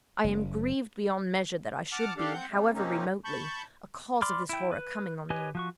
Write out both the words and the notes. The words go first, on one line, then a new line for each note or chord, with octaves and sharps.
I am grieved beyond measure that I should be, however remotely, a cause of this horror coming on you.
F#1
F#5 A5 D6 F6
D4 G4 A4 F5
C4 F#5 G6
C3 G3 A3
C3 A#3 C4 C#4 D#4
A5 B5 C#6 G6
D5 B5 C6 D6 F6
E4 G5
B4
G4 B4 C#5 D#5 G#5
F3 F#4 C#6